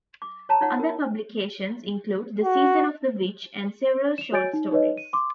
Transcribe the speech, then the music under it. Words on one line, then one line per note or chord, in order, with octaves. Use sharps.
Other publications include "The Season of the Witch" and several short stories.
D6
C#5 A5 A#5
D#4 F4 C#5 F#5
A#4
F#4
E7 F7
F#4 C#5 G#5 G6 A6 D7
D#4
D#4 B4 C#5 D#5
D#7
C6 D6